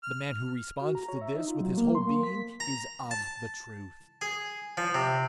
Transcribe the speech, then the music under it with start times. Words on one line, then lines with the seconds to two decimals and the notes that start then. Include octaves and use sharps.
The man who responds to this with his whole being, is of the truth.
0.03 F6
0.80 F#4
0.95 A#5
1.09 C#5
1.21 E5
1.34 D#4
1.48 F4
1.60 F#3
1.78 A#3
1.95 C6
2.07 A#3
2.23 B6
2.60 A#5
3.11 A5
4.21 G#4
4.77 F3
4.94 C3